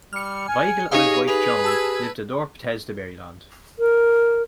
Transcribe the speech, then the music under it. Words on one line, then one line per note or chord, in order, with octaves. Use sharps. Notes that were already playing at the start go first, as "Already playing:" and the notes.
Weigel and his wife Joan live in North Bethesda, Maryland.
G3 F6 C#7
G#5
D#4 G4 G#4 C#5 F5
G#4 B4 F7
G4 A5 E6 G#6
A#4